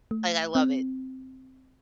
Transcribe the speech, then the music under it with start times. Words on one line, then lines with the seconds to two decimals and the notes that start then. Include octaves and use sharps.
Like, I love it.
0.11 A3
0.55 C4